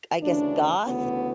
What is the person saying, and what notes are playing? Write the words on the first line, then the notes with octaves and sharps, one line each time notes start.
k I guess, goth,
D2 C#3 E3 D4
D2 C#3 E3 B3